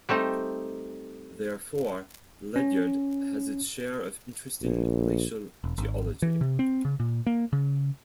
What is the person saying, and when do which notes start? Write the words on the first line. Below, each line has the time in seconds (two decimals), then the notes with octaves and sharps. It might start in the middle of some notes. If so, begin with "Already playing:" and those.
Therefore, Ledyard has its share of interesting glacial geology.
0.09 G3 A3 C4 D#4
2.56 C#4
4.62 A#1
5.64 E1
5.78 G#1
6.22 E3
6.41 C3
6.59 C4
6.85 C#3
7.00 A#2
7.27 A#3
7.53 C#3